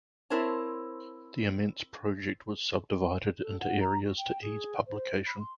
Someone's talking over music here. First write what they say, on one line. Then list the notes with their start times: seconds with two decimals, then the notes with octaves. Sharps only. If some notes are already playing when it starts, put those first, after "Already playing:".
The immense project was sub-divided into areas to ease publication.
0.30 C4 E4 A#4 C5 C#5 A5
3.41 A4
3.60 F#5
3.80 A#5
4.04 F#4
4.18 G5
4.42 G#4
4.87 C5
5.27 B5
5.40 C6